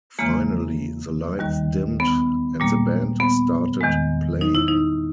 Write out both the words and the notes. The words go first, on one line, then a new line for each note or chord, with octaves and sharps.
Finally, the lights dimmed and the band started playing.
E2 C#3 E3 G#3 A#3
D#2 D#3 G3
B3
A#2 G3 A#3
B3
E2 D#3 G#3
D#4
E4
D#4